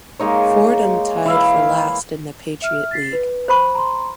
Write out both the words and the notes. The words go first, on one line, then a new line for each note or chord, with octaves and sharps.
Fordham tied for last in the Patriot League.
G#3 A#3 D#4 C#5
E3 E4 F5
E5 F6
A6 B6 C7
B4
C5 B5 C#6
A#5 C6